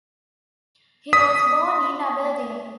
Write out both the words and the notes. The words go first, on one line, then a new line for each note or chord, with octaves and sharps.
He was born in Aberdeen.
D#6 B6